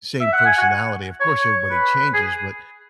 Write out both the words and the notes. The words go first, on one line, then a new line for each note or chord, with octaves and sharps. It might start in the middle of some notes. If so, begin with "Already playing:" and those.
same personality. Of course, everybody changes, but,
E5
F#5
G#5
F#5
C#5
B4
G#4